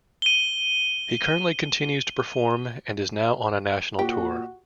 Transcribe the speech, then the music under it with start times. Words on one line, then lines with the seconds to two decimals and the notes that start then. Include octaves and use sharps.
He currently continues to perform and is now on a national tour.
0.22 D#7 G7
3.99 A#2 F#4 G4